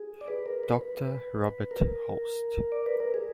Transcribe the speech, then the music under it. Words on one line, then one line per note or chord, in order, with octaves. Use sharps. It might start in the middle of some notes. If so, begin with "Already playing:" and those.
Doctor Robert Holst.
Already playing: G#4
D5
B4
A#4
B4
B4
B4
A#4
D5
B4
A#4
G#4